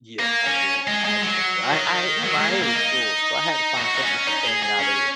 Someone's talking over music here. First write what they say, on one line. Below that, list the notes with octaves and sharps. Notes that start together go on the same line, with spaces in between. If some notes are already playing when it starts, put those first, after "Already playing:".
Yes, I did, I actually enjoy I I remember I hated school, so, I had to find some entertainment out of it.
A#3
C#4
G#3
G#3
F#3
D#3
F#3
G#3
A#3
A#3
D#4
F#4
D#4
C#4
D#4
G#4
G#4
C#4